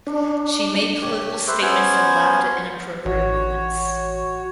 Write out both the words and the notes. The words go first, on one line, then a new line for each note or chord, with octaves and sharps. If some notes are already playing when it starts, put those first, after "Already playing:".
She made political statements and laughed at inappropriate moments.
D4
G4 C#5
B4 C5 E5
B3 C#4 C5 G#5
A1 F#4 C#5